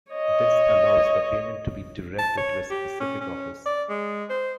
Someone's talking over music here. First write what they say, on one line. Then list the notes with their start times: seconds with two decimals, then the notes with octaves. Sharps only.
This allows the payment to be directed to a specific office.
0.12 C#5 D#5
2.18 A5
2.37 C#5
2.70 G4
3.00 C#4
3.21 C#4
3.66 D5
3.89 G#3
4.30 C5